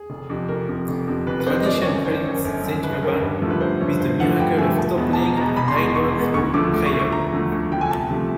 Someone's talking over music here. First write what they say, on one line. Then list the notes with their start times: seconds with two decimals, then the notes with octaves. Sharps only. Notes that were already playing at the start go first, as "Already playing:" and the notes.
Tradition credits Saint Urban with the miracle of toppling an idol through prayer.
Already playing: G#4
0.10 F1
0.29 F2 C3
0.48 F1 A#4
0.69 F2 C3
0.88 F1
1.07 F2 C3
1.27 F1 B4
1.40 B4
1.46 F2 C3 C5
1.60 D#5
1.66 G1 D5
1.82 C#5
1.85 F#2 D#3 D5
2.05 G1 C5
2.24 F#2 D#3
2.44 G1
2.64 F#2 D#3
2.83 G1 B4
3.03 F#2 D#3 A#4
3.21 G2
3.42 D3 F3 A3
3.50 B4
3.61 G2 C5
3.80 D3 F3 A3 C#5
4.00 G2 C5
4.19 D3 F3 A3 F#5
4.39 G2 G5
4.58 D3 F3 A3 G#5
4.78 E1 A5
4.97 E2 B2 G#3 B3
5.13 A5
5.17 E1 A#5
5.36 E2 B2 G#3 B3 A#5
5.49 A#5
5.56 E1 B5
5.68 C6
5.75 E2 B2 G#3 B3 C#6
5.95 E1 C#6
6.15 E2 B2 G#3 B3
6.34 D2 C#6
6.53 D3 F3 A3 D6
6.73 D2 D6
6.86 C#6
6.93 D3 F3 A3
6.99 C#6
7.12 D2 A#5
7.32 D3 F3 A3
7.52 D2
7.71 D3 F3 A3 G5
7.81 G#5
7.90 C2 A5
8.10 C3 F3 A3